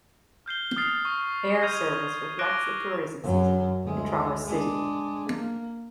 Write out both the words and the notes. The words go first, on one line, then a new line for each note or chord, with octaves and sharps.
Air service reflects the tourism season in Traverse City.
F6 G6 C7 G7
D#6 F6 A6 C7
C#6
F6 G6 G#6 D#7 F7
D6 F#6 A#6 D7 G7
F#2 F#3
D2 G#3
G#3 D4
A#3